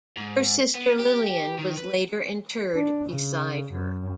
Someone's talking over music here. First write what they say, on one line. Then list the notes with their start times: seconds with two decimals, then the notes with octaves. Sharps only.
Her sister Lillian was later interred beside her.
0.17 G#2
0.75 B3
0.99 G4
1.59 D#3
1.77 B4
2.75 D4
3.10 C#3
3.73 F#2